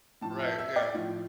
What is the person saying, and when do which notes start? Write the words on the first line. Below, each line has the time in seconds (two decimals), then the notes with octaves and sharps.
Right, yeah.
0.21 A2 F3 A5
0.40 E5
0.58 E5
0.76 D5
0.95 A2 F3 F4